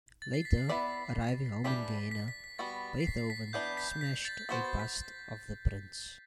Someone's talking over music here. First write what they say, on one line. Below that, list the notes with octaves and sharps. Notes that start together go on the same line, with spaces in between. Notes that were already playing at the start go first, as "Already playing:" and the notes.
Later, arriving home in Vienna, Beethoven smashed a bust of the Prince.
A6
C7
B6
C7
B3 E4 B4 D5 B6
E3 G3 D4 G4 B6
B6
B6
B6
G3 B3 F#4 A6
C7
B6
C7
B6
E3 B3 D4 G6
B6
B6
A6
B3 F#4 C5 B6
A6
B6